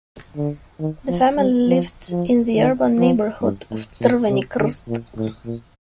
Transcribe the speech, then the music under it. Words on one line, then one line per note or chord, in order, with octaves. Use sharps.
The family lived in the urban neighbourhood of Crveni Krst.
D3
D#3
F3
G3
F3
F3
D#3
F3
G2
A2
A#2
C3
D3
A#2
A2
A#2